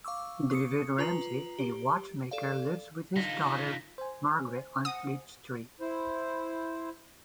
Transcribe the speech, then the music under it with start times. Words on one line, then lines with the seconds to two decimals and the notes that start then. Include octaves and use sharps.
David Ramsay, a watchmaker, lives with his daughter Margaret on Fleet Street.
0.04 F5 C#6 D6 E6
0.51 C#6 D#6 C#7
0.98 F4 B4 A#5 F#7
1.59 G4
2.31 A4 D5 F5
3.16 D3 D#4 F4 A#6 B6
3.98 C5 G#5
4.85 F#5 D#6
5.81 E4 C5